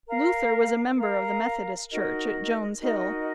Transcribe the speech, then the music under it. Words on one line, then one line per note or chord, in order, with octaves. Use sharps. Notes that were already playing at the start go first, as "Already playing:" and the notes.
Luther was a member of the Methodist church at Jones Hill.
A#4 F5 A#5
A#4 F5 A#5
D#4 F#4 A#4 D#5
D#4 F#4 A#4 D#5